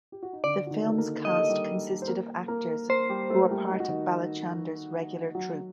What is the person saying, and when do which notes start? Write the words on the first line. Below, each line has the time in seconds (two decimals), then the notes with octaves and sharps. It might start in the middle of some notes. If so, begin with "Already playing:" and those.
The film's cast consisted of actors who were a part of Balachander's regular troupe.
0.12 G4
0.23 F#4
0.33 D#4
0.44 D3 D4 D5
0.67 F#4
0.71 D#3 D#4
0.90 A4
0.98 A#3 A#4
1.25 G4 D#5
1.37 A4
1.49 G3 G4
2.02 C5
2.08 A#3 A#4
2.48 A#3 A#4
2.89 A#3 A#4 C5
3.09 G3 G4
3.30 A3 A4
3.51 G3 G4
3.71 D#4
3.80 F#4
3.88 D#3 D#4
5.35 F#3 F#4